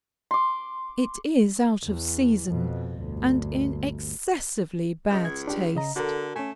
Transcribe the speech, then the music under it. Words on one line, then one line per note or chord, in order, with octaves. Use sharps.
It is out of season, and in excessively bad taste.
C6 D6
E2
F2 B2
G1 D2
C#2 D#5 G6
G#6
D4 G4
C#3 D#5 A#5
D3 F#4 A4 A#4
A3 C#4 G#5